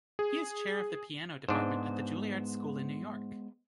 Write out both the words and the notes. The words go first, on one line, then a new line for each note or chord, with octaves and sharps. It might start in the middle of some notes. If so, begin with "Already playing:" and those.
He is chair of the piano department at the Juilliard School in New York.
G#4
G#2 G#3 B3 D4 C5